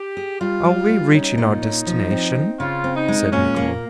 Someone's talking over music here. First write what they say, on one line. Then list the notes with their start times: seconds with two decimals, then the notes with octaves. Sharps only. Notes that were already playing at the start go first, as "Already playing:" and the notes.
"Are we reaching our destination?" said Nicholl.
Already playing: G4
0.17 G#4
0.41 G3 F4
0.64 G3
0.89 G3
1.14 C#4 D#4
1.38 A#2
1.62 C#4
1.87 F3
2.11 C4
2.35 C4
2.59 C#3 F4
2.84 C4
2.96 D#4
3.08 G#3
3.32 A#2 C#4
3.56 A#3